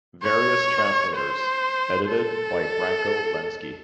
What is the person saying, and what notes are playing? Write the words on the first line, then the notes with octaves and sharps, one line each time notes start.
Various translators; edited by Branko Lenski.
C#5
C5
A4